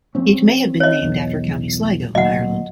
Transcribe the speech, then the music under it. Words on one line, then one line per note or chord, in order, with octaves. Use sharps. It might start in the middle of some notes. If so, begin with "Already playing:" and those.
It may have been named after County Sligo in Ireland.
F3 C4 C#4
C#5 D#5
B1 E2
D1 A#2 F#3 D#5 F#5